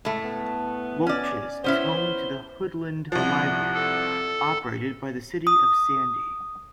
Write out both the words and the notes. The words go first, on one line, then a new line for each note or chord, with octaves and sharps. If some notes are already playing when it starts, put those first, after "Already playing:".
Welches is home to the Hoodland library, operated by the city of Sandy.
A2 G#3 A3
B3
C#4 D5
B3 C#4 E4 C5
C2 F3 F#5
A4
D#6